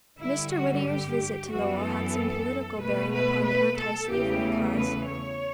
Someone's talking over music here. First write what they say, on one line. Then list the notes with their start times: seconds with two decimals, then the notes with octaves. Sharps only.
Mr. Whittier's visit to Lowell had some political bearing upon the antislavery cause.
0.18 G2 D3 G3 E4
0.50 F#4
0.83 G4
1.48 F#2 E3 B3 F#4
1.80 A4
2.78 B2 A3 B4
3.11 B4
3.44 B4
3.77 A4
4.09 E2 C#3 E3 A3 G4
4.75 B4
5.07 C#5